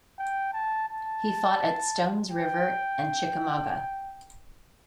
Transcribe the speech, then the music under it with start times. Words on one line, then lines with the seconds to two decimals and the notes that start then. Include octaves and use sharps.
He fought at Stones River and Chickamauga.
0.19 G5
0.53 A5
0.89 A5
2.31 G5